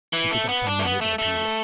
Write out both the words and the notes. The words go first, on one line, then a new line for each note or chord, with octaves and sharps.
Keep it up a minute or two longer.
E3
A3
B3
D4
A3
B3
A3
A3